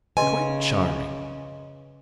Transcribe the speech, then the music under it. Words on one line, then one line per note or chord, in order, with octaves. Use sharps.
Quite charming!
C#3 B4 D#5 G#5 C6